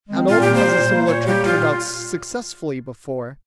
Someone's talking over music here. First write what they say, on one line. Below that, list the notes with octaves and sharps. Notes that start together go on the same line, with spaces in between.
And all because a similar trick turned out successfully before!
D#3 G#3 C4
A#2 F4
G4
G3 A#3
C5
A#2
G3 A#3
A#2 C#5
G3 A#3 G4
A#2 F4